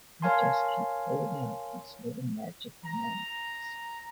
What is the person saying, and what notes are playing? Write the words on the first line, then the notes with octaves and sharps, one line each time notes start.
I just kept pulling out these little magical moments.
A#4 C#5 F5 G#5 A5 C6
A#5